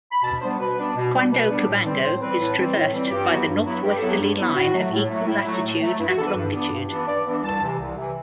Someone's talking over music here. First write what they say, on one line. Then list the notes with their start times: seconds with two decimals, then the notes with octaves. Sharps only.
Cuando Cubango is traversed by the northwesterly line of equal latitude and longitude.
0.12 B5
0.23 B2 A5
0.41 G3 B3 D4 C5
0.59 B2 B4
0.78 G3 B3 D4
0.95 B2
1.13 G3 B3 D4
1.31 B2 B4
1.49 G3 B3 D4
1.68 A2
1.85 E3 G3 C4
2.03 A2 C5
2.21 E3 G3 C4 B4
2.39 A2
2.57 E3 G3 C4
2.75 A2
2.93 E3 G3 C4
3.11 G2 G4
3.24 F#4
3.29 F#3 B3 E4
3.37 G4
3.48 G2
3.65 F#3 B3 E4
3.83 G2 G4
3.96 A4
4.01 F#3 B3 E4
4.09 G4
4.19 G2
4.38 F#3 B3 E4
4.55 A2 F#4
4.73 F#3 A3
4.91 A2
5.09 F#3 A3
5.27 A2 E4
5.45 F#3 A3
5.63 A2
5.81 F#3 A3
5.99 G2 E4
6.08 F#4
6.17 E3 B3 D4 A4
6.27 B4
6.35 G2
6.53 E3 B3 D4
6.71 G2
6.89 E3 B3 D4
7.07 G2 D5
7.26 E3 B3 D4
7.43 C2 A5
7.61 C3 E3
7.79 C2
7.97 C3 E3